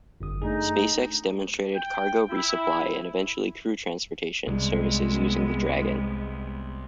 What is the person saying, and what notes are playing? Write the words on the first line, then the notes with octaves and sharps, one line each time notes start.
SpaceX demonstrated cargo resupply and eventually crew transportation services using the Dragon.
G1 F#2 D#6
A3 D4 D#4 G#4
G5
E4
C2 G#3 B3